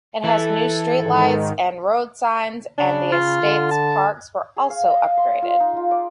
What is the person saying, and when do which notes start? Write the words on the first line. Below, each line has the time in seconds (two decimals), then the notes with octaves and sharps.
It has new streetlights and road signs, and the estate's parks were also upgraded.
0.24 E3 E4 A4
0.98 G#2 D#3
2.78 C#3 D4
3.12 F4
3.41 D3
3.71 A5
4.56 G#4
4.70 F5
4.90 D#5
5.05 F5
5.17 C6
5.42 F4
5.60 D#4
5.77 F4
5.91 D5